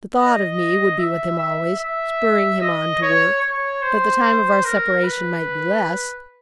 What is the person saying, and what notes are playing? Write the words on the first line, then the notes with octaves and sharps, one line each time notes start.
The thought of me would be with him always, spurring him on to work, that the time of our separation might be less.
D#5
E5
E5
E5
D#5
C#5
C#5
C5
A#4
B4